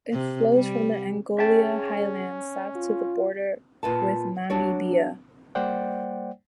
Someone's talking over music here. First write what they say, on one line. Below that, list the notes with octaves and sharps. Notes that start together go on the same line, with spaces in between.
It flows from the Angola highlands south to the border with Namibia.
C3
G3
C#4 G#4 E5 G5 A5
F4
A#2 B4 A5
F#3 D4 C#5
G3 A#3 C5 D5 F#5 G5